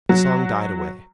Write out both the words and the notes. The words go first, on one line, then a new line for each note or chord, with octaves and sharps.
The song died away.
F#3